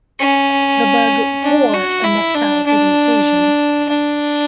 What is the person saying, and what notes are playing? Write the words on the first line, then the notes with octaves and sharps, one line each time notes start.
The Bug "wore" a necktie for the occasion.
C#4
D4
F#4
E4
D4
D4
D4